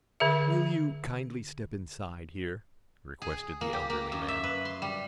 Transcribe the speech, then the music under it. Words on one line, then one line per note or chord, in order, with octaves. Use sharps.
"Will you kindly step inside here?" requested the elderly man.
D3 G#4 E5
G#4
A#3
G4
A#3
F#2
E5
B4
C6
G3